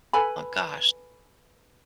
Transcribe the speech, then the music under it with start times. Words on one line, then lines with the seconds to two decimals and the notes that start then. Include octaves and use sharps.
Oh gosh.
0.13 A4 B4 G#5 B5